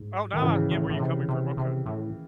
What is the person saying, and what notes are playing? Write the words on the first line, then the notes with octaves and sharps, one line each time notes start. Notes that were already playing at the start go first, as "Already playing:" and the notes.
Oh, now I get where you're coming from, okay.
Already playing: G#2
A2 D#3
G#2 C#3 E3
A2
A2
C3
C3
C3
A2